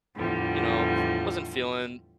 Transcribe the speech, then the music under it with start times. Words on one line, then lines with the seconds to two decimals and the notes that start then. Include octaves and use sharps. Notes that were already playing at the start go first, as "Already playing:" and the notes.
you know, wasn't feeling
0.15 E2 A2 D3 F3 G3